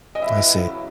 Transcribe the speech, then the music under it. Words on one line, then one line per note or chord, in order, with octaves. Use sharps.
I see.
D#5
E3 B3 E4 E5
C#3 F#3 C#4